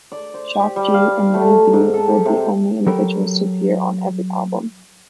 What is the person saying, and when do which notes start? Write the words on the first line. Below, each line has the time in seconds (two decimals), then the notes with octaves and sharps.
Shock G and Money-B were the only individuals to appear on every album.
0.12 D5
0.34 C5
0.61 G4
0.76 G3
0.94 F5
1.11 D5
1.34 A3
1.46 A#5
1.73 G#2
1.94 A4
2.07 G4
2.25 C3
2.87 F#3 G4 A4 A#4 G5 B5